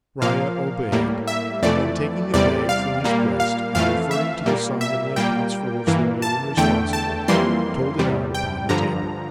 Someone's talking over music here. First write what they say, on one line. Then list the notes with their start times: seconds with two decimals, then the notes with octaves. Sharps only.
Riah obeyed, and then taking a bag from his breast, and referring to the sum in the accounts for which they made him responsible, told it out upon the table.
0.22 A#2 F3 A#3 F5
0.92 A2 G3 A#3
1.28 E5
1.62 F2 E3 A3 D5
2.34 E2 C3 G3 D5
2.69 F5
3.04 A#2 G3 A#3
3.40 F5
3.75 F2 E3 A3 F5
4.11 E5
4.46 A#2 G3 A#3
4.81 E5
5.16 A#2 G3 A#3 G5
5.87 G2 E3 A#3
6.22 A5
6.57 E2 D3 A3 G5
6.93 A5
7.28 F2 E3 G3 A#3 C6
7.99 E2 C3 G3
8.34 G5
8.69 G2 D3 F3 A#5